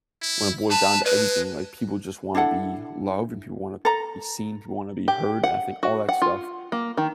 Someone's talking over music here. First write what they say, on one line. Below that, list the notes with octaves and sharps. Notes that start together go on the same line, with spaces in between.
when it boils down to everything, like, people just wanna be loved, and people wanna be seen, people wanna be heard, and I think all that stuff
E4
B4 A5
G#3 B4
D4 E4 A4 F#5
A4 A#5
G4
F#5
F#4
F#5
F4
A#3
D#3